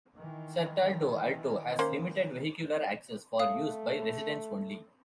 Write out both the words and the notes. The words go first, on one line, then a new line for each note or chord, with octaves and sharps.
Certaldo Alto has limited vehicular access, for use by residents only.
D#3 E3
A#3 C#4 C5
A3 F5 D#6